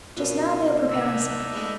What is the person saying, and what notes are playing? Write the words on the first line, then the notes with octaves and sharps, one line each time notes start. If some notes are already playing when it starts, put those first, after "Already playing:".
Just now they are preparing supper.'
B2 F4 A#4
A1 C3 D4 D#4 E5
E3 G#3 A3